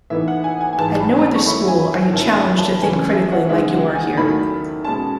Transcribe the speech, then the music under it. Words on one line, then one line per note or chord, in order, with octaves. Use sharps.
At no other school are you challenged to think critically like you are here.
A2 E3 B3 D#4 E5
F#5
G#5
G#5
G#5
G#2 E3 G#3 A5
B5
C#6
F#2 D#3 F#3 A3 E4 B5
G#5
F#2 D#3 F#3 C#4 E4 A5
B5
A5
C#3 E3 A3 C#4 G#5
E5
F#5
C#3 G#3 D#4 E5
F#5
G#5
E2 D#3 F#3 A3 D#4 B5
B2 G#3 C#4 A5